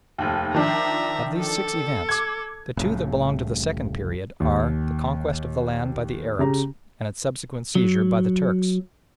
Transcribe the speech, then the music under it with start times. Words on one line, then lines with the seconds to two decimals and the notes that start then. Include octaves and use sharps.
Of these six events the two that belong to the second period are, the conquest of the land by the Arabs and its subsequent seizure by the Turks.
0.18 F1 D#2
0.54 D#3 F3 D4 E5 A#5
1.39 A4
2.09 D6 G#6
2.77 F1 C2 A2 C#3
4.40 D#2
6.39 C#3 G4 A#5
7.75 F#3